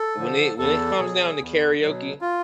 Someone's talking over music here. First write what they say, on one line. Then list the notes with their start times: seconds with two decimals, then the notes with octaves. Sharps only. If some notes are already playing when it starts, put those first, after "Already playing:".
when it when it comes down to karaoke
Already playing: A4
0.18 D3 F3
0.58 E2 A4
0.99 B2 F#3 G#4
1.40 E2
1.80 B2 F#3
2.21 F4